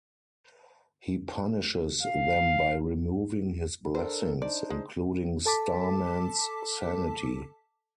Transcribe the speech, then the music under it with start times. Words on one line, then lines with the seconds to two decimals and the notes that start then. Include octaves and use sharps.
He punishes them by removing his blessings, including Starman's sanity.
2.03 F5
3.95 D4 A4 A#4 C5
4.42 D4 D#4 C5 D5
4.70 G#3
5.46 A4 A5 D6 B6